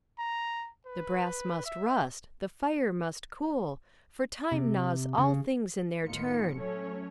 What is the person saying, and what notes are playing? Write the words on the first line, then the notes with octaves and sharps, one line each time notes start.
The brass must rust, the fire must cool, for time gnaws all things in their turn.
A#5
B4
E5
C3
C#3
A2 D#3 B3 F4 C#7
F#3 A3 C#4 C#5